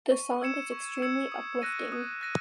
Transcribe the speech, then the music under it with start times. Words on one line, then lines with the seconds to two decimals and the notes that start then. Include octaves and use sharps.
The song is extremely uplifting.
0.12 C#6
0.41 E6 G#6 C#7 E7
0.72 C#6
1.02 E6 G#6 C#7 E7
1.32 D#6
1.62 F#6 A#6 D#7
1.92 D#6
2.21 F#6 A#6 D#7